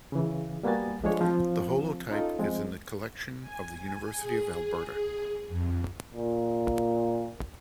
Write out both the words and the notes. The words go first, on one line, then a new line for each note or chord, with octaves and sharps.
The holotype is in the collection of the University of Alberta.
C#3 E3
G3 A#3 B3 F#4 G#5 A6
F3 G#3 A3 D4 G#4 C#5
F3 C4
C#4 D#4 F4 A4
F3 G#3 C4
G#5
G#4
F2
A#2